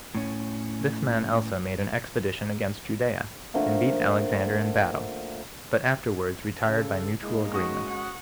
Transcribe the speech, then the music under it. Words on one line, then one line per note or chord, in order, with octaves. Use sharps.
This man also made an expedition against Judea, and beat Alexander in battle; but afterwards retired by mutual agreement.
A2 C#4
D3 F3 A3 A#3
C#3 A4
G#3 A#3 D#4 E4
C#4 F#4 C#6 D#6
F#5